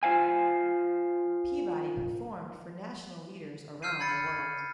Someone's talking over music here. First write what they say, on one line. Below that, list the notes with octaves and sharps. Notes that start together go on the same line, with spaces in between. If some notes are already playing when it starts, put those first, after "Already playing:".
Peabody performed for national leaders around the world.
F4 C5 F5 G#5
E6 F6 G6 C7 D#7
B5 G#6 A6 C#7